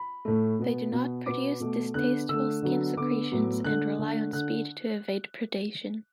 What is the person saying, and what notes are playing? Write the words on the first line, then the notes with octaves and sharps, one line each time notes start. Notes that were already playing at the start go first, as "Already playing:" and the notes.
They do not produce distasteful skin secretions and rely on speed to evade predation.
Already playing: B5
A2 A3
B2 B3
B2 B3
B2 B3 D6
B2 A3
D3 B3 F#6
D3 A3 E6
D3 F#3 B3
D3 B3 D6
A2 F#3 B3
D3 A3 F#6
D3 A3
D3 F#6